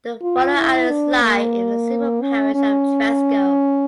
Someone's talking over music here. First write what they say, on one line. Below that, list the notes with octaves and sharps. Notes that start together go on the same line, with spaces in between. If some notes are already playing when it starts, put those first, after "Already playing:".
The following islands lie in the civil parish of Tresco.
F4
E4
D4
A#3
C#4
C#4